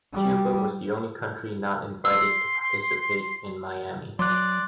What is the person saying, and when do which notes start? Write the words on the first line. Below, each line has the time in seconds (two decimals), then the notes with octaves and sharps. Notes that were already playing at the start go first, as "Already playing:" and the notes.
Cuba was the only country not invited to participate in Miami.
0.13 G3
2.05 C6 E6
4.19 F#3 D5 C6 D6 F#6